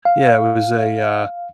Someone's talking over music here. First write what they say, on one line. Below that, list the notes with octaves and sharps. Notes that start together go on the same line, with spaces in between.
yeah, it was a, uh,
F5